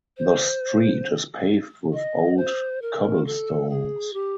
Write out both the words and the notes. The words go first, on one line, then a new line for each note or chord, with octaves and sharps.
The street is paved with old cobblestones.
C5
D#5
C5
A#4
A4
G#4
G4